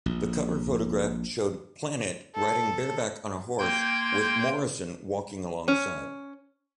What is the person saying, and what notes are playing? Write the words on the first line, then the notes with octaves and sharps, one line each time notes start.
The cover photograph showed Planet, riding bareback on a horse, with Morrison walking alongside.
A#1
A4 A5
A#3 G5 C6 G6 G#6
C#4